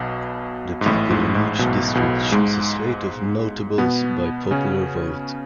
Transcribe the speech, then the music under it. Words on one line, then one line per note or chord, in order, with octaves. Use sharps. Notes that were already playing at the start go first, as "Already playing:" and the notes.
The people in each district chose a slate of "notables" by popular vote.
Already playing: B1 B2
G#2
A1 A2
G#2
G#2
B1 B2
B1 B2
G#2 G#3
B2 B3
C#3 C#4